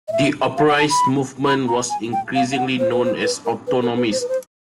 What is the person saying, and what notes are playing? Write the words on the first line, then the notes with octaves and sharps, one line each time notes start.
The "operaist" movement was increasingly known as autonomist.
D#5
E5
F5
F#5
A5
B5
B5
A#5
G#5
G5
F5
F5
F#5
C5
B4
C5
B4
A#4
B4
A#4
B4
C5
B4
C5